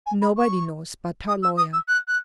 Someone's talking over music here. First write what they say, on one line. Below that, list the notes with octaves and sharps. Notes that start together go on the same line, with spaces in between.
"Nobody knows but her lawyer."
G#5
B5
C#6
D#6
E6
D#6
E6
F#6
F#6